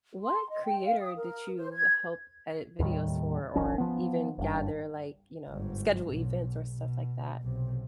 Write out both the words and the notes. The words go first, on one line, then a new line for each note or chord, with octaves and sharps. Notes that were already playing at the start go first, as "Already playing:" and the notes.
what creator did you help edit videos for, or, even, gather, like, you know, schedule events or stuff like that?
C6
D#5
G5
F5
D#6
A#4
C5
G#6
D#2 A2 D#3 G3
D1 G#1 F3 C#4
F3 B3
F#1 G2
G1 G#2
B1
B2
B1 C3